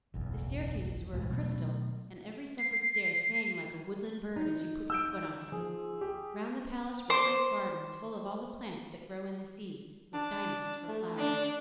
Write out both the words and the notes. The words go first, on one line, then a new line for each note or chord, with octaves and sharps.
The staircases were of crystal, and every separate stair sang like a woodland bird as you put your foot on it. Round the palace were great gardens full of all the plants that grow in the sea, with diamonds for flowers.
F#1 B1 E2
B1 E2 A2 G#3
B2 F#3 A3 B3
C7
D#4
E6 G6 D7
F3 G#4
G4
C5 C6 D6
D4
A3
D4